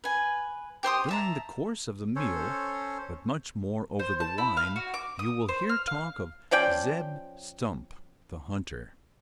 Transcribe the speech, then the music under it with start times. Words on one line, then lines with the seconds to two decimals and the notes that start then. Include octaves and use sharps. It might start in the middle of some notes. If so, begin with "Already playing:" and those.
During the course of the meal--but much more over the wine--you will hear talk of "Zeb Stump the hunter."
0.04 B4 G#5
0.83 G4 C5 C6 D#6
1.09 E5 A5 A#5
2.16 C#4 A4 C5 C#5
3.99 C5
4.20 A5
4.38 E4
4.57 F5
4.76 F#4
4.94 D6
5.19 D#6
5.49 C5
5.69 F6
5.87 F5
6.51 F3 C#4 D5 G5